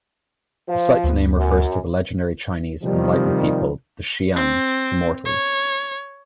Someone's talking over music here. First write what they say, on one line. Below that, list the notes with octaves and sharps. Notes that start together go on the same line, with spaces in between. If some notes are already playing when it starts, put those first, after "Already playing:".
The site's name refers to the legendary Chinese enlightened people, the Xian "immortals".
F3
D2 B3
F#2
C3 D#3 F3 G3
C4
C#5